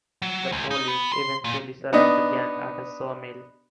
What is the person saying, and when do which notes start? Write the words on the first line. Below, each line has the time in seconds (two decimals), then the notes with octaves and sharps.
The police eventually surround the gang at a sawmill.
0.22 F#3
0.52 C#2
0.71 D#4
0.88 B3
1.12 C6
1.44 A#2
1.93 B3 D4 D#4 D#5